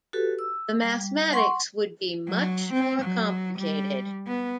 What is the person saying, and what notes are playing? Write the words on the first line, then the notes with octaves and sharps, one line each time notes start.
The mathematics would be much more complicated.
F#4 G4 A4 B4
E6
G3
F#5 C6 C#6
F#3
C4
F#3
G3
B3